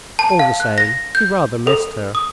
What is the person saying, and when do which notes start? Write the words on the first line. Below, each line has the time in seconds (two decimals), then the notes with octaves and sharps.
All the same, he rather missed her.
0.19 A5
0.39 F5
0.60 F#6
0.78 A#6
1.15 G6
1.67 A4
2.15 D#6